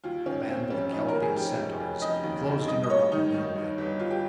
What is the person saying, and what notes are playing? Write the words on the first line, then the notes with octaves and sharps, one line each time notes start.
A band of galloping centaurs closed in around the mail wagon.
D#2 F4
D#3 C#4
D#2 C4
F1 C#4
F1 D#4
A#4
D#3
G#4
F1 G4
F1
F1
F1 D#5
D#2
D#3
G2 D#5
D#5
G3 C#5
D#3 D#4
D#3
G2
G1
G3 F4
G4